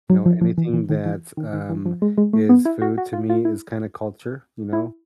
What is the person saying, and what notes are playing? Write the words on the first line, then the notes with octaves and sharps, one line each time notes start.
You know, anything that's, um is food to me is kinda culture, you know?
F#3
F3
F3
E3
E3
D#3
E3
D#3
D#3
E3
F3
G#3
G#3
A3
B3
E4
F#4
F#4
F4
F4
E4
E4